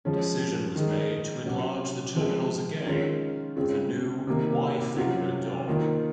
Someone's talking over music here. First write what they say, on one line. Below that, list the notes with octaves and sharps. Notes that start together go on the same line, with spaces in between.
A decision was made to enlarge the terminals again with a new "Y-finger" dock.
F3 G#3 C#4
D#3 G#3 D#4
C3 F#3 C#4
F3 G#3 C4 F4
D#3 G#3 C#4 F4
C#3 G#3 C4 F4
C3 D#3 A#3
C3 F#3 C#4 F4
D#3 A#3 F4